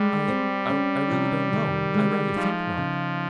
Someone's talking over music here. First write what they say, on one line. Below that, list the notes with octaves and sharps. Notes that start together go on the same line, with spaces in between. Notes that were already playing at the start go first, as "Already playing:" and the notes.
'I--I really don't know; I rather think not.
Already playing: G3 G#3
C4
C#4
C3
D#3
G#3
F3 D#4
C#3